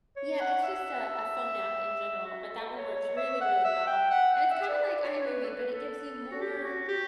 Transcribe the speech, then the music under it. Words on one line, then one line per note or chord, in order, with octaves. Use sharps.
Yeah, it's just a phone app in general, but that one works really, really well, and it's kinda like iMovie, but it gives you more,
C#5
F#5
E5
F#4
A4
C#5
C#5
E5
F#5
E5
G5
F#5
F#5
E5
D5
D5
C#5
C#5
B4
A4
B4
A4
F#4
G4
F#4
G4